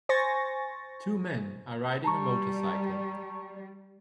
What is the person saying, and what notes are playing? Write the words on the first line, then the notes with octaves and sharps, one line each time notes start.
Two men are riding a motorcycle.
C5 G#5 C#6 A6 A#6
G3 A5 A#5 C#6